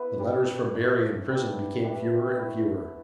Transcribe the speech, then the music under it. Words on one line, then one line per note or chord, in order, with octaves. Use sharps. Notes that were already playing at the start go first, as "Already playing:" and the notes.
The letters from Berry in prison became fewer and fewer.
Already playing: B3 E4 B4
G3 D4
A3 D4 D5
G3 B3 D4
G3 B3 D4 E5
A3 E4